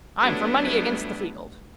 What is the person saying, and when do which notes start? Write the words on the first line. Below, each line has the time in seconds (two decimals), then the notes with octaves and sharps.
I'm for money against the field.
0.21 F#3 G3 A3 B3 D4 E4